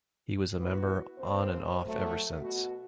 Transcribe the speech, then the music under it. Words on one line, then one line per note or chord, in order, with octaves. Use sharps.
He was a member on and off ever since.
B3 E4 F#4 B4
D#2 C4 C5
F#3 A3
B2 B3 F#4